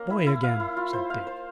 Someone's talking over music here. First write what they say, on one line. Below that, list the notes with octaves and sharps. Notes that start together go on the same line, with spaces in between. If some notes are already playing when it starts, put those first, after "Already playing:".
"Boy again!" said Dick.
Already playing: A#3 C#4 A#4
E4
E4
F5
E4
F4
C5
F5
C5